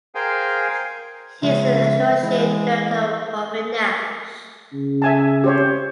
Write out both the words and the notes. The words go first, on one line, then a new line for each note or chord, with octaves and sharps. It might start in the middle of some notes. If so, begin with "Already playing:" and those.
He is an Associate Director of Harvey Nash.
G#4 A#4 C5 F5 G5 G#5
C#3 F3 G#3 E5
E3 G#3
C#3
E5 G#5 A5
G4 C5 C#5